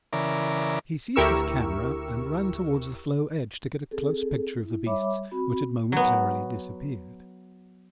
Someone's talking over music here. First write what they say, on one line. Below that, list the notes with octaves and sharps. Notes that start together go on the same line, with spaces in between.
He seized his camera and ran towards the floe edge to get a close picture of the beasts, which had momentarily disappeared.
C#3 E3 A#4 D5
D2 E4 G4 A#4 C#6 E6
C4 G#4 A4
E4
G3 C#5 E5 B5 D6
C4 F#4 B5
F#3 B3